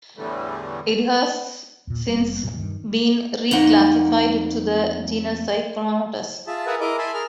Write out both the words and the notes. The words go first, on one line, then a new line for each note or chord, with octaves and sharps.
It has since been re-classified to the genus "Pycnonotus".
E2 A2 D3 E3 G3 A3
E2 A#2
F1 G3 B3 C4
D#2 G#2 B2 F#3
G2 D#3
F2 A#3 D#4 F#5
F4 G#4 E5 A5
G#4 A#4 B4 E5 F#5 G#5
E4 G#4 A#4 D#5 D6
E5 G#5 A5 B5 C6
G#4 A#4 F6